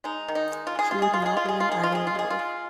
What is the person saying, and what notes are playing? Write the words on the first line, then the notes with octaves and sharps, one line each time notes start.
She did not win either award.
G#3 D#4
D#3
D#4
G#3
F4
G#3 G#4
F4
G#3 G#4
F4
G#3 G#4
F4
G#3 G#4
F4
D#3 G#4
F4
G#3 G#4
F4
G#3 G#4
F4
G#3